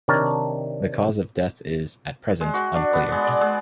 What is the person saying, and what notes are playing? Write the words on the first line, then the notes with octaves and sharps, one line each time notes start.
The cause of death is at present, unclear.
C3 D#3 D4 A#4 C#5 A5
G#3
F#4
D4
B3
G#3
D5
G#3